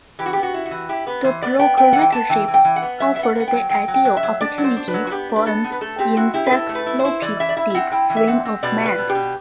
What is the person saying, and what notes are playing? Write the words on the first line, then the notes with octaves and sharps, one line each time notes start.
The procuratorships offered the ideal opportunity for an encyclopedic frame of mind.
E3 G4
F#4
B3 G4
F#4
E4
F#4
E3
E4 G4
B3 B4
E3 C5
B3 D5
B3 G5
B3 G5
E3 F#5
G5
B3 A5
E3 G5
E3
G5
E3
F#5
B3
F#3 E5
E5
B3 F#5
B3 F#5
G5
F#3
F#3 G5
F#3
G5
F#3
E5
F#3
D4 D5
F#3
C5
D4
B4
F#3
F#4
B3 G4
D4
B4
B3 A4
B3
B4
A3 A4
C4 G4
E4 F#4
E4 G4
B4
E4 A4
A3
B4
E4
C5
E4
E3 D5
E4 E5
D5
E4 E5
E5
C4 F#5
E4 G5
E3
E5
C4 F#5
C4
B2 D5
G3
B4
B2
G4
B2